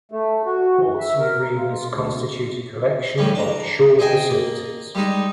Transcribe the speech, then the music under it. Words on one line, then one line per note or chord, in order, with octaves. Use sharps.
Ports and marinas constitute a collection of shore facilities.
A3
F#4
F#2
E5
A#4
F4
D2
A2 E3 G3 C#4
D4 A#5
G#4 C5 D#5 G5 G#5
A#3
G3 G#3 D#4